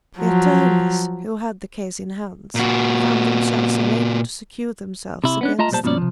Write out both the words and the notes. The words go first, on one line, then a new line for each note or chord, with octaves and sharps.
The attornies who had the case in hands, found themselves unable to secure themselves against her.
F3 F#3
A#2 F#4
C3 E4
B3 C#4 D4
A3 F4 D#5 A5 A#5
B1 A#2 G3 C5 A5
G2 B2 F3 A#3 C#4 D5
C3 F3